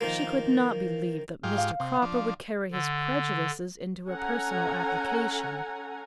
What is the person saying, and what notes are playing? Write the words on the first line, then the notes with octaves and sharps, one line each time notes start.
She could not believe that Mr. Cropper would carry his prejudices into a personal application.
D#3 F3 A#3
G#2 F4 G4
F5
C3
F3 D4
D3
C#4 A4 F#5 G#5 A#5